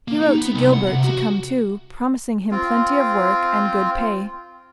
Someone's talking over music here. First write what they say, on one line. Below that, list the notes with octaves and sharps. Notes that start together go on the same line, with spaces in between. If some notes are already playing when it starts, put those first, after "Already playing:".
He wrote to Gilbert to come too, promising him plenty of work and good pay.
A#3
D#4
B3
C2
F#5
C3
F#4
C4 F4